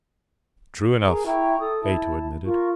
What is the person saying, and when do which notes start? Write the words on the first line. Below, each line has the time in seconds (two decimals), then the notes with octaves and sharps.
"True enough," Ato admitted.
1.07 G#4 A#4 A#5
1.26 E4 G5 A#5 C#6
1.59 A4 D#6
1.81 E4 A5
2.45 F4 A#4 C#6